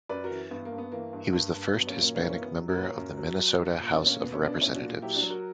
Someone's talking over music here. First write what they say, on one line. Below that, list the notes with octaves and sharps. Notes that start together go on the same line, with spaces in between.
He was the first Hispanic member of the Minnesota House of Representatives.
F#2 B4 D5
F#4 A#4
E3
G2 B3
A#3
G2
B3
E3 A#3
G2
G2
G2
F#3 B3
A#3 C#4
A#2
A#3 C#4
E3 A#3 C#4
A#3 C#4
F#2
B3
F#3
F#4 A#4
A#2 B4
A#4 C#5
F#2
F#3
F#3
G2
A#2
B3 D4
A#2
A#3 C#4
B2 B3
A#3 C#4
B2
B3 D4
A#2 C#4 E4
D4 F#4
A#2
F#3 E4 G4
D4 F#4
F#3
F#4 A#4